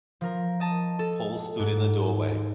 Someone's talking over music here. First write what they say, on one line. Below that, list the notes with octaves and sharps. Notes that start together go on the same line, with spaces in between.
Paul stood in the doorway.
F3 A#4
D#5 A5
A4
G#2